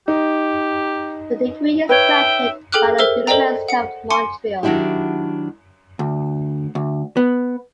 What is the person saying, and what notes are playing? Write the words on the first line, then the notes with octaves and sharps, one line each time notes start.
The degree is granted by the University of Montreal.
D#4 G4
B4 C#5 E5 G5
G#4 A4 G5 D6 F6 F#6
A#4 C5 E5 E6 F6
A4 C5 D5 D#5 G5 A#5
F#5 C#7
G#5 C6 D6 C#7
D#3 F#3 D4 E4 F#4 G4
D2
D2
B3